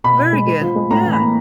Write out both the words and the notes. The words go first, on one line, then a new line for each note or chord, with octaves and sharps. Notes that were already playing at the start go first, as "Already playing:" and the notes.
Very good yeah.
B2 B5
B2
G#3
G#3
F3
G#3
A2 A#5
E3
B5
A#3